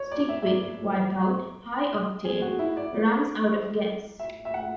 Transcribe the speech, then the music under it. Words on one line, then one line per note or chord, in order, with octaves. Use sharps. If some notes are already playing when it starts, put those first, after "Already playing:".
Stick with "Wipeout" - "Hi-Octane" runs out of gas.
Already playing: C#5
D5
E5
E5
D5
G#4
F#4
E4
D5
E5
E5
F#5